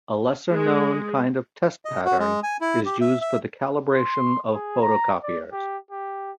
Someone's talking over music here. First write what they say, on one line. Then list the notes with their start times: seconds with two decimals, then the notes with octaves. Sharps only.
A lesser-known kind of test pattern is used for the calibration of photocopiers.
0.50 G#3
1.85 D#5
2.05 F#4
2.19 G#3
2.43 G#5
2.61 E4
2.86 G4
3.01 E5
3.21 E5
3.92 C6
4.52 G#4
4.82 A#5
5.23 D5
5.52 G4
5.91 G4